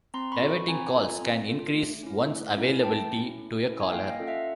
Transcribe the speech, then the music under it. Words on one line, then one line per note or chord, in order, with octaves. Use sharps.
Diverting calls can increase one's availability to a caller.
C4 A#5 C6
B5 C#6
F4 A4
B5 C#6
C4 G#5 A#5
F4 A4
C4
F4 A4
A3
C#4 E4
A3
C#4 E4
A3 G5 A5
C#4 E4
A3
C#4 E4
G#5
A#3 F5 G5
D#5 F5
C#4 F4 A4
E5 F#5